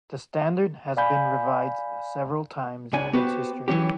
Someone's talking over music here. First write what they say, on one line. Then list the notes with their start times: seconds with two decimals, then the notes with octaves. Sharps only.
The standard has been revised several times in its history.
0.97 D5 F5 G#5 B5 G6
2.93 C#2 C#3 D4 G#5
3.13 B3 F#4 G4 B4 C5
3.68 E3 F#3 C#4 G4